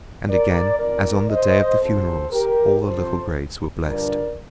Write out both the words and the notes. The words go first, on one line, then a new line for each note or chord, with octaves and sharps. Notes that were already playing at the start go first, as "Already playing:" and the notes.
And again, as on the day of the funerals, all the little graves were blessed.
A#4 D5
F2 D#3 A#4 D5
C5 D#5
F2 C3 F3 A4 C5
G4 A#4
F2 C3 F3 A4 C5
G2 D3 F3 A#4 D5